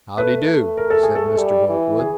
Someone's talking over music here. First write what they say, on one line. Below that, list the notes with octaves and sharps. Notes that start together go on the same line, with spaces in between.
"How dee do," said Mr. Boltwood.
A3 B4
A3
A#4
A4
G#4
A4
G3
E3
G#4